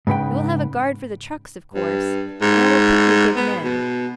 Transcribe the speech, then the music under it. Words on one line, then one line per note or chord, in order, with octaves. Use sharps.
'You will have a guard for the trucks, of course, and I will pick you good men.
G#2 C#3 B4 G5
G2
G#2
B3
B2